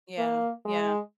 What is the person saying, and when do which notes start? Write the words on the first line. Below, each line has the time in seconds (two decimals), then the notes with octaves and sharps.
Yeah. Yeah.
0.18 A#3
0.65 G#3